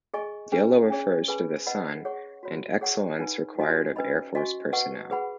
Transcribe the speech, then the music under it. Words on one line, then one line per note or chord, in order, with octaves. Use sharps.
Yellow refers to the sun and excellence required of Air Force personnel.
G#4 D#5 G#5 C#6
C#4 G#4 B4
C#4 G#4 C#5
G#4 B4 G#5 B5
B4 D#5 F#5 B5
G#4 C#5 F#5 C#6
F#4 C#5 B5
G#4 C#5 F#5 C#6
D#4 B4 G#5 B5
D#4 F#4 D#5 G#5
C#4 B4 D#5 B5
F#4 D#5 G#5 C#6
B4 D#5 F#5 C#6
G#4 B4 F#5 B5